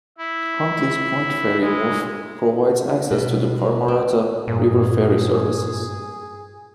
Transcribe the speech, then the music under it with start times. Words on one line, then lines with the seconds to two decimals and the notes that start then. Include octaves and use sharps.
Huntleys Point ferry wharf provides access to the Parramatta River ferry services.
0.18 E4
1.60 G#3
3.11 B2
3.88 C4
4.48 G2 A#2 G#4